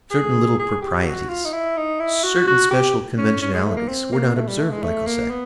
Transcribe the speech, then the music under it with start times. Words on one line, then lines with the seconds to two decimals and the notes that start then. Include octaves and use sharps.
Certain little proprieties, certain special conventionalities, were not observed by Cosette.
0.11 G#4
0.59 G#4
0.82 G4
1.06 F#4
1.29 F4
1.45 D#4
1.52 E4
1.77 D#4
2.00 E4
2.24 F#4
2.47 F#4
2.71 G4
3.18 C#4
3.42 C#4
3.54 G#3
3.65 A3
3.77 A#3
3.89 C4
4.12 A#3
4.36 A3
4.48 G3
4.59 A3
4.71 G#3
4.83 A3
5.07 A#3
5.30 B3